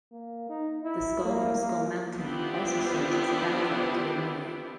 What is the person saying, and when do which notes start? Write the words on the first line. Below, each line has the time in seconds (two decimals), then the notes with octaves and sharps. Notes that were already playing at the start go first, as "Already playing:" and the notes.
The skull from Skull Mountain also serves as a backdrop to the ride.
0.12 A#3
0.49 D#4
0.84 E4
1.25 A#3
1.61 A#3
2.13 B3 C4 D4 E4 F4 G4